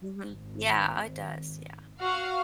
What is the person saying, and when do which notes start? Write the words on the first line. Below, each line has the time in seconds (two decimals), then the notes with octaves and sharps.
Mhm yeah, it does, yeah.
0.29 G#1
2.00 F#4 F5 F6